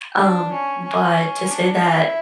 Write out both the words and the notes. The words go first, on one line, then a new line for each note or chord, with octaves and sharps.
Um, but to say that
D4
C#4
C#4
D4
E4